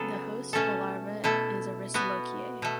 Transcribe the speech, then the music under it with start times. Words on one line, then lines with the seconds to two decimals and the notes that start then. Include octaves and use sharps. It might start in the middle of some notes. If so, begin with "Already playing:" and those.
The host of the larva is Aristolochiae.
Already playing: C#3 F#3 B3 A4
0.53 B2 A3 C#4 A4
1.24 B2 A3 E4 A4
1.94 B2 B3 F#4
2.62 B2 A3